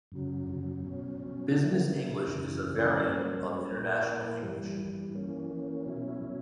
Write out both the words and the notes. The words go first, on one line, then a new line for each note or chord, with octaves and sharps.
Business English is a variant of international English.
F#2 C#3 F#3
F#2 C#3 F#3
B2 F#3 C#4
B2 F#3 C#4
C#3 F#3 A#3 E4
C#3 F#3 A#3 E4
F#2 C#3 E3
F#2 C#3 E3
G2 F#3 A#3 C#4
G2 F#3 A#3 C#4
A#2 A#3 E4 A#4
A#2 A#3 E4 A#4
G2 E3 G3
G2 E3 G3
E3 A#3 C#4
E3 A#3 C#4
B2 F#3 C#4 E4
B2 F#3 C#4 E4